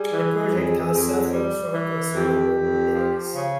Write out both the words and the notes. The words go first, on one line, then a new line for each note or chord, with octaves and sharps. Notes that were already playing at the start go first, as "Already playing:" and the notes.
The project has suffered from considerable delays.
Already playing: G3 G#4
E3
F2
F2
G3
E3
F2 G4
F2
F3
C#3